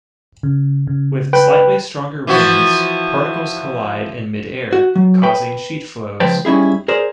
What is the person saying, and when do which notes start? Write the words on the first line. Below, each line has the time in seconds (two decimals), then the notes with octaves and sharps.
With slightly stronger winds, particles collide in mid-air, causing sheet flows.
0.43 C#3
0.87 C#3
1.33 B4 G5
2.27 E3 F3 F#4
4.73 F#4
4.95 F#3
5.23 B4 G5
6.20 C#2 F3 B4 C5 G5 A5
6.45 G3 C#4 D#4 E4 G#4
6.88 G#4 A#4 C5 D5